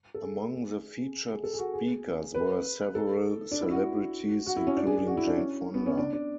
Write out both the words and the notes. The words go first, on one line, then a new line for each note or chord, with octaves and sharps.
Among the featured speakers were several celebrities including Jane Fonda.
A4
G#4
G#4
A4
G#4
F#4
G#4
B4
A4
D4
E4
F#4
F#4
E4
C#4
D4
G#4
G#4
F#4
E4
D4
C#4
B3
C#4
D4
D4